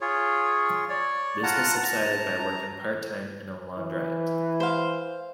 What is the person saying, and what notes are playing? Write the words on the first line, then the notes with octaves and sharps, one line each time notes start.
This was subsidised by working part-time in a laundrette.
F4 G#4 C#5
C#5 D5
F4 F#5 A5 A#5
A5 A#5
A#5
E3
C5 F5